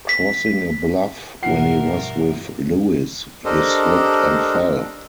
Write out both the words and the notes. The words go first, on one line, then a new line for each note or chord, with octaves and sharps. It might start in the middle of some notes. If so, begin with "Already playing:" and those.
Crossing a bluff when he was with Lewis, he slipped and fell.
B6
G2 B2 F3 F4 A#4 E5 F#5 C7
D4 G4 A4 A#4 C5 D#5